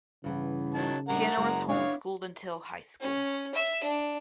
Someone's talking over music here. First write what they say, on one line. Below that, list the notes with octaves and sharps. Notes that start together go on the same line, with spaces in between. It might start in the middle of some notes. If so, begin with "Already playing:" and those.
Tanner was homeschooled until high school.
G2 C#3 E3 B3
D#3 F#3 A5
G3 D4 D#4 A#4 F#5
F#1 G#3
B3 D4 E4 C#5 F5
C#4
E5
D4